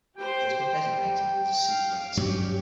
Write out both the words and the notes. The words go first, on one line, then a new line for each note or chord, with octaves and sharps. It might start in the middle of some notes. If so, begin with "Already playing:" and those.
It has been designated as a 'C' Grade stadium.
G4 C5 G5
G3
F5
G2 F#3 C#4 G4